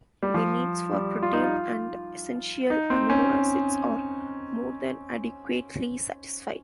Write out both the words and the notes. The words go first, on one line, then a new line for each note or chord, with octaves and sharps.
The needs for protein and essential amino acids are more than adequately satisfied.
G3
F3
G3
F4
D#4
F4
D#4
C4
C#4